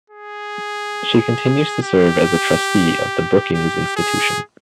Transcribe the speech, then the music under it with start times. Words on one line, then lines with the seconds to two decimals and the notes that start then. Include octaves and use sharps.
She continues to serve as a trustee of the Brookings Institution.
0.10 G#4
1.82 G4
3.53 G4
3.96 G#4